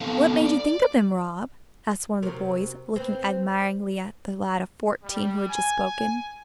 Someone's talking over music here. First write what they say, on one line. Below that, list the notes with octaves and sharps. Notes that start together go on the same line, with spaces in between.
"What made you think of them, Rob?" asked one of the boys, looking admiringly at the lad of fourteen who had just spoken.
B3 C4 D#4 A4 F5
D5
C3 F#3 A#4
C4 B4
G3
G#5